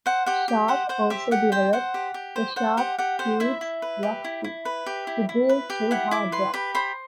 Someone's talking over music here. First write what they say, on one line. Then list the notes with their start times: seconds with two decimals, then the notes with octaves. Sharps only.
Sharp also developed the "Sharp-Hughes Rock Bit" to drill through hard rock.
0.06 C5 F#5
0.26 G4 F#5
0.48 G4
0.68 C5 F#5
0.89 C5 F#5
1.10 G4 E5
1.31 G4 F#5
1.52 C5 G5
1.73 C5 F#5
1.94 G4
2.14 G4
2.36 C5
2.56 C5 F#5
2.77 G4 F#5
2.99 G4 F#5
3.19 C5 F#5
3.40 E4 E5
3.61 E4
3.82 B4
4.03 G4
4.24 E4
4.44 E4
4.65 B4
4.86 G4
5.07 E4
5.29 E4
5.49 B4
5.70 G4
5.91 E4 F#5
6.11 E4 D6
6.32 B4 C6
6.54 G4 B5
6.75 C5 B5